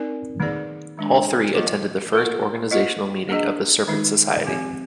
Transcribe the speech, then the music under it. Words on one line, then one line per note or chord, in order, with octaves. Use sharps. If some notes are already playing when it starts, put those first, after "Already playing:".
All three attended the first organizational meeting of the Serpent Society.
Already playing: C4 D#4 A#4 D5
D#3 A#3 D#4 G#4 D5
D#3 G#3 D4
F3 A#3 F4 C5 D#5
A#3 F4 A#4
A#3 F4 C5 D#5
A#3 D4 G#4 D#5
D#3 G#3 D#4
F3 C4 G4